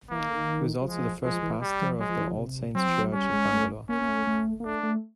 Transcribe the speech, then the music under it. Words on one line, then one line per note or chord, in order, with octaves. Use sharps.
He was also the first pastor of the All Saints Church at Bangalore.
E3 A#3
D#3
D3
D#3
F#3
F3 G#3
F3 G#3
E3
G3
F3
F#3 G#3
F3
E3
F3
C3
F#3 C4
F3
F#3
G3 C#4
G#3
A3
A#3 C#4
A#3
A3
A3
A#3
A3 D4
A3